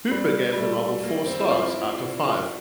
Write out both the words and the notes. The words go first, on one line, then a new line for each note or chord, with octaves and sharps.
Hooper gave the novel four stars out of five.
G3
G3
A3
A#3
C4
E4
F4
E4